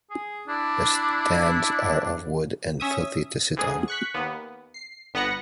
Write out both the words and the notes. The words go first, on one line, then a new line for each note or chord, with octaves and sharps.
The stands are of wood and filthy to sit on.
G#4
D4 E4
C#4 E5 D#6
D2 G#4
C#6 F#6 B6
D#2 B3
C7
G1 B3 F#5 A#6 C#7